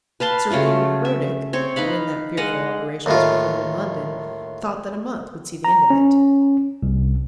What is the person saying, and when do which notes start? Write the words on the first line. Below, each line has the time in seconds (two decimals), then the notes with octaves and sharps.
Sir William Brodrick, when that fearful operation was performed in London, thought that a month would see the end of it.
0.20 B4 F5 A5 C6
0.50 C#3 F#3 A3 F4
1.05 E5
1.53 C4 C#5
1.76 D#4 B4 F5 B5
2.37 G#3 D#5 F5 F#5
3.06 D#2 A2 F4
5.65 A#5
5.90 C#4
6.83 C2